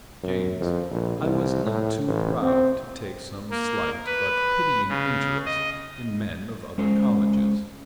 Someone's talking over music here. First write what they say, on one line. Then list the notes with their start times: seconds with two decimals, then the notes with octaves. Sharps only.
JAMES', I was not too proud to take some slight but pitying interest in men of other colleges.
0.23 F#2
0.61 F2
0.91 A#1
1.20 C2
1.65 A2
2.08 A1
2.42 C4
3.51 A#3
4.06 B4
4.89 C#3
5.45 D#5
6.78 G#3 C#4 C5